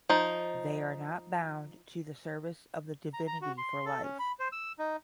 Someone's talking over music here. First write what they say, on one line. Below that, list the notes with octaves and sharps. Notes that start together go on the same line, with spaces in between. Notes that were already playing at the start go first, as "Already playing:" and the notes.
They are not bound to the service of the divinity for life.
F3 D#4
A#5
A#5
F#4
C6
A4
C#4
B5
C5
E6
D#4